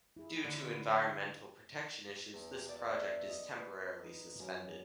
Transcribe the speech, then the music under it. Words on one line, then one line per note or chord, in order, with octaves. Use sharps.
Due to environmental protection issues, this project is temporarily suspended.
E4 G#4
D3
B4
E2
G4
D5
E5
E5
D#5
B4
D#4
F#2